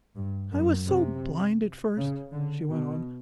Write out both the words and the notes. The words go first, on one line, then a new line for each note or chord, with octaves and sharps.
"I was so blind at first!" she went on.
G2
F#2
C3
C#3
D3
B2